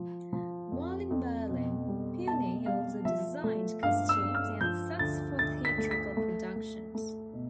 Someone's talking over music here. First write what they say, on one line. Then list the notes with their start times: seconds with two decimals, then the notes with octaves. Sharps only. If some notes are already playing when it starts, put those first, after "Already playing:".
While in Berlin, Puni also designed costumes and sets for theatrical productions.
Already playing: F3
0.33 F3
0.72 F2
1.10 F2
1.49 B2
1.88 G3
2.27 B2 A5
2.66 G3 F5
3.05 F3 E5
3.44 A3
3.83 G2 F5
4.09 E6
4.22 G2
4.35 F6
4.61 F3 G6
4.99 D2 A6
5.39 D2 A6
5.65 B6
5.78 A3
5.91 B6
6.17 A3
6.56 A3
6.95 A3
7.33 B2